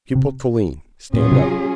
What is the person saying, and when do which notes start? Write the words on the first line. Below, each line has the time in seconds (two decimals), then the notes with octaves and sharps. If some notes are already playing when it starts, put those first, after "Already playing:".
"Pupil Toline, stand up."
0.15 C3
1.13 A#2 F#3 C#4 F4 G#4
1.32 C3